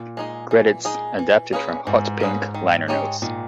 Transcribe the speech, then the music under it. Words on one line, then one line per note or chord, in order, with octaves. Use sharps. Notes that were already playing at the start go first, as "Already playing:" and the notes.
Credits adapted from "Hot Pink" liner notes.
Already playing: A#2
G#3 D#4 G#4
E3
G#3 D#4 G#4
E3
A#3 C#4 G#4 B4
G#2 E3
A#3 C#4 G#4 B4
D#3
G#3 D#4 G4 C#5
A#2 D#3